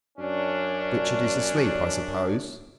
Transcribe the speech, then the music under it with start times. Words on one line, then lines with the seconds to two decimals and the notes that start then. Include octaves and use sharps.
"Richard is asleep, I suppose?"
0.18 F#2 C#4 D4